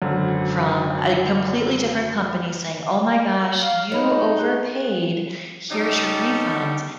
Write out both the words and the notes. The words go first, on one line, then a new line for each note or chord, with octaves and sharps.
from a completely different company saying, "Oh my gosh, you overpaid, here's your refund."
G#1 F#2 D3
F5
G#3 D#4 C#5 B5
G#4 F#6 G7
C#3 G3 D#4 G4 A4